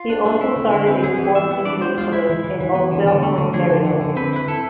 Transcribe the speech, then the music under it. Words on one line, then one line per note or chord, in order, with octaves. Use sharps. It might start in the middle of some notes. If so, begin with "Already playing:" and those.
He also started a sport injury clinic in Oakville, Ontario.
Already playing: F4
D4
A3
E4
D3
E4
C4
B3 G#4
E3
E3 E5
B3
D4 D5
G#3 C5
G#3 F4
G#3 E4
E3
E3
E3
B3
D3
D3
A3
D3
F3 G#4
D3
D3
D3
C4 B4
E4 B4
E4 A4